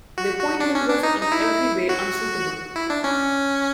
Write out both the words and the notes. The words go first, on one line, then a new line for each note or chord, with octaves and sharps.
The appointment was in every way unsuitable.
F#4
F#4
D4
C#4
D4
D#4
D#4
E4
F#4
E4
D4
C#4